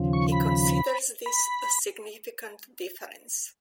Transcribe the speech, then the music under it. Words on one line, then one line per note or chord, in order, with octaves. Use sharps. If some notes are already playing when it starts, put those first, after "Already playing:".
He considers this a significant difference.
Already playing: D#2 C#3 F3
C#6
B5
B5